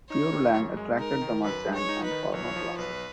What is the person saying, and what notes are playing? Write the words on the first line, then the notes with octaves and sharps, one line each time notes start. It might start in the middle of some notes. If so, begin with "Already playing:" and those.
Pure Land attracted the merchant and farmer classes.
D#4 C#5
D#3
F#2
G#3
D#4 A#4
D#3
F#2 B4
G#3
C#5
D#4
B4
D#3
B1 C#5
F3
B1 B4